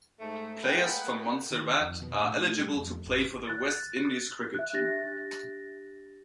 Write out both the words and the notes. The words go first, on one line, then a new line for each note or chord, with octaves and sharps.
Players from Montserrat are eligible to play for the West Indies cricket team.
G#2 A3
G#3 A#3 B4 F#5 G5
D#3
F2
B2
A2
A3
G3
F2
G#1
F#6 A6
E5 F#6
D4 G4 A6 A#6